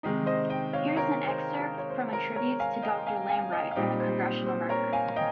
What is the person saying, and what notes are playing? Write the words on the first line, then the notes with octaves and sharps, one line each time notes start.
Here is an excerpt from a tribute to Doctor Lambright from the Congressional Record.
C3 D#3 G#3 D#4
C5 D#5
D#5 G5
C#5 F5
A#4 C#5
C5
A#4
C#5
C5
A#4
A#4 C#5
F5 G#5
D#5 G5
F5 G#5
F5 G#5
D#5 G5
F5
A#2 G3 C4 D#4 D#5 G5
C5
C5
C5
A#4 C#5
F5 G#5
D#5 G5